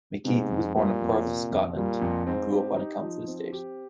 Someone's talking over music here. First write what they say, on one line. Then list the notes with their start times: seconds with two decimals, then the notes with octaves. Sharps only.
McKeith was born in Perth, Scotland, and grew up on a council estate.
0.25 G#2 C3
0.50 F2
0.75 A#2 G3
1.01 F2
1.26 C3
1.51 F2
1.76 A#2 G3
2.01 F2
2.27 G#2 C4
2.52 G4
2.77 D#4
3.02 F3
3.28 C4
3.53 G4